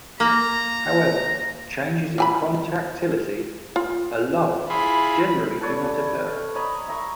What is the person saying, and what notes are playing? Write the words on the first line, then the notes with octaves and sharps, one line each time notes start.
However, changes in contractility alone generally do not occur.
A#3 A#5
E3 G#5 B5
F4
E4 F4 G#4 B5
A4 B4 C#5 D5
A4
C#5 D#5 A#5 B5
E5 A#5 C#6